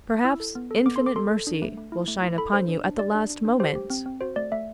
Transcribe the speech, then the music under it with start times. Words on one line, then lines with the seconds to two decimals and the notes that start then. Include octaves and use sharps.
Perhaps Infinite Mercy will shine upon you at the last moment!
0.25 E4 E6
0.40 A4
0.55 B3
0.71 A4
0.86 B3 D6
0.96 C6
1.01 A4
1.06 D6
1.16 A4 C6
1.31 A4
1.47 D4
1.62 A3
1.77 A3
1.92 E4
2.08 A3
2.22 E4
2.38 A4 B5
2.53 D4 C5
2.69 D4
2.85 D4
2.99 G4 D5
3.15 D4
3.30 D4
3.45 D4
3.60 G4 C5
3.75 G4
3.90 C4
4.06 C4
4.21 F#4 C5
4.36 A3 D5
4.52 A3 E5